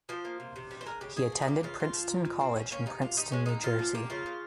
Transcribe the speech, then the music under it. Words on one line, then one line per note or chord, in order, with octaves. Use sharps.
He attended Princeton College in Princeton, New Jersey.
F3 C5
A#3
C3
C3
G3
C5
G#3 A#4
C#3 G4
C#3 G#4
F3
G#4
A#3 G4
C#3 F4
C#3 F4
F3
A#3
A#2
A#2 C4
F3 C#4
A#3 C#4
C3 D#4
C3 F4
G3 D#4
G#3 C#4
A#2 D#4
A#2 F4
F3
A#3 G4
C#3 F4
C#3